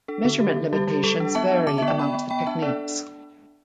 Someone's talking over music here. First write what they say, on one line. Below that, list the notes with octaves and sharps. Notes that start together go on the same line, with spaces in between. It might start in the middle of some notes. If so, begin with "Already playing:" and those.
Measurement limitations vary amongst the techniques.
D4 A4
D3 A4
D3 G4
D3
G3 G4
G3 G4
G3 A4
D4
B3 E5 A5
D4
D3 A5 D6
E5 A5
B3
D5 G5
B3 G5 B5
B3
B3 G5 B5
D4 E5 A5
D4 A4 D5